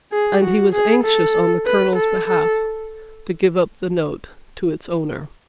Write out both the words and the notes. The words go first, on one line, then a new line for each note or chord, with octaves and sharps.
And he was anxious, on the Colonel's behalf, to give up the note to its owner.
G#4
F#4
G#4
A4
B4
A4
A4